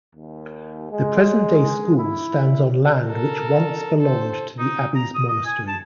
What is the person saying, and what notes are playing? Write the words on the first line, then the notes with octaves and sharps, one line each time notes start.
The present-day school stands on land which once belonged to the abbey's monastery.
D#2
G#3
E4
A4 A#4
A4 C5
D#4
A#5
D#6
D#5
G#5
A5